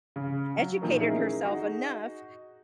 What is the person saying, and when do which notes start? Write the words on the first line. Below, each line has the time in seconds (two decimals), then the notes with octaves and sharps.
educated herself enough
0.16 C#3
0.57 F#3
0.82 A#2 D#3 F3 A3 A#3
1.00 C#4 D#4 E4 G#4 A#4 E5
1.44 D#4 F#4 G#4